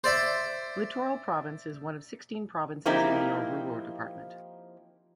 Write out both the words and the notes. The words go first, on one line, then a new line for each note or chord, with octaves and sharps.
Litoral Province is one of sixteen provinces in the Oruro Department.
C5 D5 E5
F3 A#3 C4 D#4 E4 G4